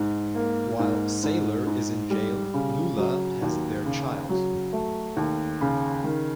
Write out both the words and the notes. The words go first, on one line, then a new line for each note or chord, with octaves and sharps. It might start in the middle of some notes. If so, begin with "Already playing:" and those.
While Sailor is in jail, Lula has their child.
Already playing: G#2
A#3
G#2
G#2
G#2
G3
C#3
F#3
D#2
C#3
F#3
A3
D#2
C#3
D#3